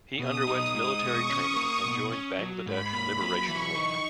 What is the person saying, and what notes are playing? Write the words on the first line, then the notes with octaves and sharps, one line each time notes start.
He underwent military training and joined Bangladesh Liberation War.
B2 D#6
D#4
G#3
B2 C#6
C#4
A#3
B2
C#4
F#3
G#2 B5
A#3
F#3
E3 C#6
D#4